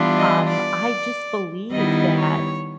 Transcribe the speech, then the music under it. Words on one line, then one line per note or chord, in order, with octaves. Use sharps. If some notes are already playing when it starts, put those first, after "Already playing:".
Um, I just believe that
Already playing: E3 G3 B3 D4 F4
D#5
D5
D#3 G3 B3 E4 D#5
C#5